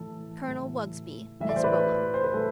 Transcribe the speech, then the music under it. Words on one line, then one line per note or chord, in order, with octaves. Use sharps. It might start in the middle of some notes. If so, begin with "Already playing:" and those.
Colonel Wugsby--Miss Bolo.'
Already playing: A2 E3 A4
A2 E3
A2 E3 D5 E5
C5
B4 D5
C5
B4
A2 A4